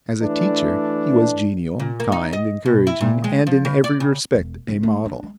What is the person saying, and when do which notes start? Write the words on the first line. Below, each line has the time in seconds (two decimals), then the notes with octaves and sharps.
As a teacher he was genial, kind, encouraging and in every respect a model.
0.22 E3 A3 D4
1.80 A#2
2.00 A#3
2.12 D#4
2.33 D#5
2.66 B2
2.87 E4
3.01 A#2
3.24 G#3
3.47 F3
3.65 C#3
3.84 D5
4.00 C#3
4.35 E1
4.69 C#3
4.83 A3
5.05 D4
5.23 G#3